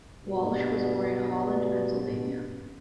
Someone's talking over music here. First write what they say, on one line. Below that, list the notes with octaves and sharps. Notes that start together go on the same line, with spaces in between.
Walsh was born in Holland, Pennsylvania.
G2 B2